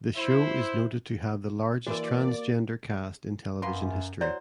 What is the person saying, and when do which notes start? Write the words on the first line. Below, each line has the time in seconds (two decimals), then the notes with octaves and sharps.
The show is noted to have the largest transgender cast in television history.
0.16 E4 C5
1.87 E3 A#3 F#4 A#4 D5
3.62 F#2 A#3 B4 C6
4.21 F#3 E4 C5 D5